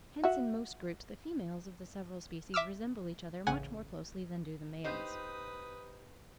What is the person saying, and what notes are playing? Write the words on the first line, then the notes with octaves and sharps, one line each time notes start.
Hence in most groups the females of the several species resemble each other much more closely than do the males.
F#4 E5
E5 D6 E6 F6
A1 C#3 F#5 G#5 D#7
D#4 G4 B4 C5 D#6